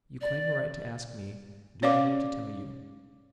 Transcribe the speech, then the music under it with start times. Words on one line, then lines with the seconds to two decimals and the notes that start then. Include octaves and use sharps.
You claim a right to ask me do I mean to tell you.
0.21 D5
1.82 C#4 C#5 D5 F5 D6